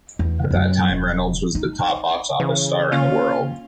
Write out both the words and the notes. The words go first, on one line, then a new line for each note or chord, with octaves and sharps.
At that time Reynolds was the top box office star in the world.
E2
F#2 F#3
E1
D#4
C#3 E3
A#3 C#4 F4